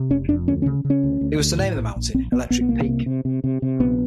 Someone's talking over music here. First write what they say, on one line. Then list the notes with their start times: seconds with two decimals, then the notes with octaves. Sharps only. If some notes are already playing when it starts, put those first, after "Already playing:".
He was to name the mountain Electric Peak.
Already playing: C3
0.10 F1 C#4
0.29 F2 D4
0.48 D2 C#4
0.62 C#4
0.66 C#3
0.85 C#3
0.90 C#4
1.03 D2
1.21 D2
1.40 D2
1.59 A2
1.77 A#1
1.96 A#1
2.14 A#1 C4
2.32 A#1 B3
2.50 A#1 B3
2.61 B3
2.69 C2 A#3
2.88 C3
3.06 C3
3.25 C3
3.44 C3
3.62 C3
3.80 A#1 B3